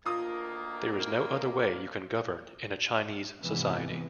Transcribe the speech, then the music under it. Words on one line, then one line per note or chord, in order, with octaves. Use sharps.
There is no other way you can govern in a Chinese society.
D2 D#3 A#3 F4 D#6
G#2 C3 E3 F3 G#3 B3